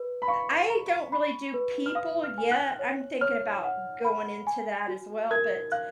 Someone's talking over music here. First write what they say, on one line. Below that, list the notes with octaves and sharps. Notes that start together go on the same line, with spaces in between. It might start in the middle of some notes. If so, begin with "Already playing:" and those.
I don't really do people yet, I'm thinking about going into that as well, but
Already playing: B4
B5
F5 C#6
A#5
B5
B4
F6
F5 D#6
F6
G#5
F#6
C#5
C#5 F6
F#5
B5
G#5
F#4
A#4 G#6
F5 F#6